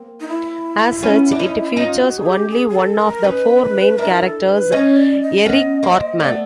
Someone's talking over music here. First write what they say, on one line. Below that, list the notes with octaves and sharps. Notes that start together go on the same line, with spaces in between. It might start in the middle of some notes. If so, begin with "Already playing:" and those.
As such, it features only one of the four main characters, Eric Cartman.
Already playing: A#3 C4
D#4
E4
B3 C#4
D4
C#4 D#4
C#4 D#4 F4
F#4
G#4
G4
G#4
G#4
A4
A#4
C#4 D#4 B4
D4 E4 A#4
A4
B4
C#4 D#4 C#5
D5
D#5
B3 C#4
A#3 C4
A3 B3 D5